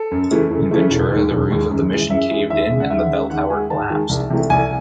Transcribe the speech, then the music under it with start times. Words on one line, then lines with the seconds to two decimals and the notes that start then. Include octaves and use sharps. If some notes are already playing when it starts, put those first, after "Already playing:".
In Ventura the roof of the mission caved in and the bell tower collapsed.
Already playing: A4
0.11 F#2
0.31 C#3 E3 A3
0.51 F#2
0.71 C#3 E3 A3
0.91 E1
1.11 D#2 D#3 G#3
1.31 E1
1.51 D#2 D#3 G#3
1.71 F#2
1.91 E3 G#3
2.10 F#2 E5
2.30 E3 G#3
2.50 D#2 E5
2.71 C#3 G#3
2.80 F#5
2.90 D#2 E5
3.10 C#3 G#3
3.30 D#2 F#5
3.50 D#3 G#3 G#5
3.70 D#2 A5
3.90 D#3 G#3
4.09 C2
4.30 C3 E3 A3
4.50 C2 G#5